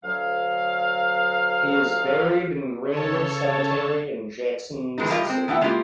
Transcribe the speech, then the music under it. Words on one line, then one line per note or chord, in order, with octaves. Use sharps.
He is buried in Greenwood Cemetery in Jackson, Mississippi.
D2 F#3 F5
C#3 A4 C#5 A5
D#3 E3 G#3 D4 D#4
G3 F4 G4 A#4 D#5
G#3 C4
E2 D4 E4 F#5 G5
G#3 A#3 C#4 E4 F4 G4